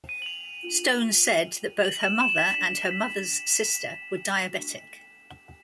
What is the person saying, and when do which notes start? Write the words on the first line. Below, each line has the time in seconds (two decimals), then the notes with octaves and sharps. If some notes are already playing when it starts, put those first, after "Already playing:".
Stone said that both her mother and her mother's sister were diabetic.
0.09 D#7
0.22 F#7
0.26 F7
0.79 F#7
1.85 F#7
2.03 E7
2.20 E7
2.38 B6
2.91 B6